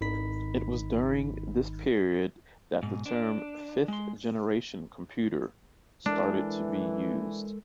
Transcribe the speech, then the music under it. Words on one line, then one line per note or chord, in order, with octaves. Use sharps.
It was during this period that the term "fifth-generation computer" started to be used.
G#1 D#3 D#4 B5 B6
G#2 B2
D4
G#3 C6
E3 G#3 D4 A4 A#4